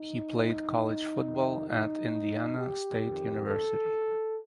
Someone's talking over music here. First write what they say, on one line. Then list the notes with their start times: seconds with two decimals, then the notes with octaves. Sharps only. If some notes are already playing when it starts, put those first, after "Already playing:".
He played college football at Indiana State University.
Already playing: D#4
1.25 F2 C3 D#3
1.69 D#4
2.58 G4
3.03 F2 D#3
3.47 A4